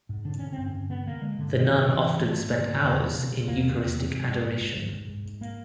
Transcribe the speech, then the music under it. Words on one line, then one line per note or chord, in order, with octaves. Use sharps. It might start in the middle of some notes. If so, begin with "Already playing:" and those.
The nun often spent hours in Eucharistic Adoration.
G#2
D3 D4
D3 C#4
C4
G2
C#4
G2
D3 B3
D3 A#3
D3 G#3
G2 D3
G#2 D#3
G#2
G#2 E3
G#2
G#2 A3
G#2
G#2
G#2
E2 A#3
C3
C3
C3
E2 A#3
C3
E2
C3
G#2
G#2
G#2
G#2
G#2
G#2
G#2
G#2
A#3